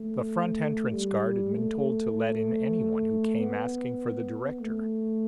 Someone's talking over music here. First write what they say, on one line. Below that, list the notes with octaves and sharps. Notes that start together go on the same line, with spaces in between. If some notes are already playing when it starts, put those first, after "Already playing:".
The front entrance guard had been told to let in anyone who came asking for the director.
Already playing: A3
G3
A3
B3
A3